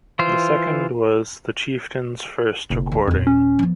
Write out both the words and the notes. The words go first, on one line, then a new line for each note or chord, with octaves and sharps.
The second was the Chieftains first recording.
E3 F4 C5
F#1 C2 B2
D#2 C3
D#1 F2 D#4
C#4
F3 B3